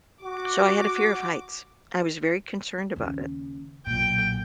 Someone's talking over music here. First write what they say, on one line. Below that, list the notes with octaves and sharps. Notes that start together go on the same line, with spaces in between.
So I had a fear of heights. I was very concerned about it.
F#4 D6
D#2 C#3
B1 A#2 G5